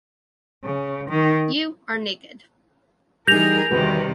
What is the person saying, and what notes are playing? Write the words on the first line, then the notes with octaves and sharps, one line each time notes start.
You Are Naked.
C#3
D#3
E3 G3 D#4 G#4 A#4 G6 A#6 F7
E2 C3 D#3 G3 F#4 B4